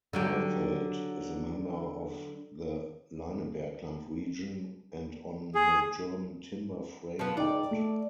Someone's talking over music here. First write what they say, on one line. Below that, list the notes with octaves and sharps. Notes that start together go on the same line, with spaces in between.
Alfeld is a member of the Leinebergland region and on the German Timber-Frame Road.
D3 F#3 G4
G#4
F3 B3
D#4 D5 D#5 G5
A3